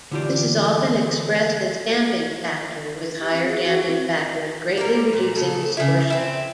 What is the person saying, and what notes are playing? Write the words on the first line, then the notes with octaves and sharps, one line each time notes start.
This is often expressed as damping factor, with higher damping factors greatly reducing distortion.
D3 E3 F4 G4 D5
G4
C4
G#4
F#4
C4
G3 A#3 A#4
A#2
C#3 A4
C#3 E4
C4 E4